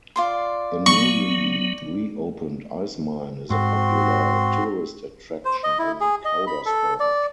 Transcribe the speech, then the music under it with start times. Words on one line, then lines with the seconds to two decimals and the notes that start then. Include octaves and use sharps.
The newly re-opened Ice Mine is a popular tourist attraction in Coudersport.
0.16 F4 D5 C6
0.86 F#3 B3 C#6
3.50 G#2 C4 F#4 C6
5.45 C5
5.64 D#5
5.79 E4
6.01 G#4
6.25 D#5
6.47 B5
6.66 A4
7.00 D5